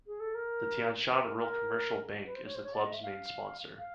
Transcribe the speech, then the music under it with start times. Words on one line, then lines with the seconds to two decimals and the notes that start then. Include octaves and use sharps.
The Tianshan Rural-Commercial Bank is the club's main sponsor.
0.07 G#4
0.20 A4
0.34 A#4
1.11 B4
1.24 A#4
1.36 A#4
2.26 B4
2.35 C5
2.45 C#5
2.54 C5
2.64 C#5
2.73 D5
2.84 D#5
2.92 E5
3.02 F5
3.78 F5